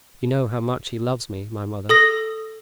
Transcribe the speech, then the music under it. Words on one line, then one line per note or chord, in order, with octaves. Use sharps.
You know how much he loves me, my mother.
A4 D#6 A#6